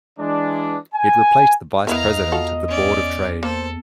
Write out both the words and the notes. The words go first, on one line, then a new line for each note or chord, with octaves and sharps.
It replaced the Vice-President of the Board of Trade.
E3 G#3 D4
G#5
E2 B3 E4 A#4 D#5 F5 A#5
F4 F#4 A4
C#4 D5
A#3 A4 C5